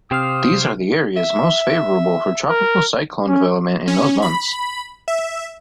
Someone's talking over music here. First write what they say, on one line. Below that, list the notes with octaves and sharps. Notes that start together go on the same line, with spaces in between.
These are the areas most favorable for tropical cyclone development in those months.
C3 G4 C5 F5 D#6 F6
E5
A#4
C#4
C#4
B5
E5